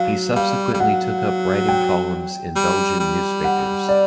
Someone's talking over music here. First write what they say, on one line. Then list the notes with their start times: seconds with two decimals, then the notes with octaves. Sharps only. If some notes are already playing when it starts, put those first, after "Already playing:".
He subsequently took up writing columns in Belgian newspapers.
Already playing: F#3 F5
0.36 G3 F5
0.74 G3
0.80 F#3 F#5
1.69 G5
2.56 G3
3.00 G3
3.44 F#5
3.89 D5